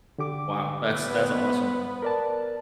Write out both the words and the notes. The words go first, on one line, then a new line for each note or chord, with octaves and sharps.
Wow. That's that's awesome.
D3 G4 D6
B3 B4
C5
A#4 D5 A5